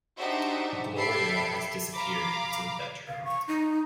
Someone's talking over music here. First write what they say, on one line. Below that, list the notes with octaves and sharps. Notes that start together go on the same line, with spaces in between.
Gloria has disappeared into the bedroom.
D4 D#4 F#4 G4 C5 E5
G4 A4 E5 B5 C7 D7
F5 A#5 B5 D6
F5
C#6
D#4